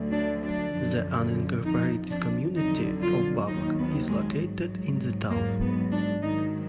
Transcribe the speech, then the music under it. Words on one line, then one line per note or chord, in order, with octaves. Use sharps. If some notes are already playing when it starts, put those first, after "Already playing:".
The uninicorporated community of Babcock is located in the town.
Already playing: D2 D3 F#3
D4
D4
F#2 D3 F3
F2 F3 D#4
D4
F2 D3 F#3 D#4
F4
D#2 D#3 F#3 D#4
B3
G#3
G#2 F#3
G#2 F#3 A#3
B3
D4
G#2 D#3 F#3 D#4